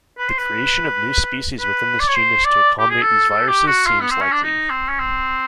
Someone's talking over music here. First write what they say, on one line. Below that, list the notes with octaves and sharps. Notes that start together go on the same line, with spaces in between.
The creation of new species within this genus to accommodate these viruses seems likely.
B4
C5
B4
B4
D5
C#5
C5
D5
G4
G#4
A4
A4
G4
F#4
F4
B3
C4
C#4
D4
D#4
C4
C#4
C4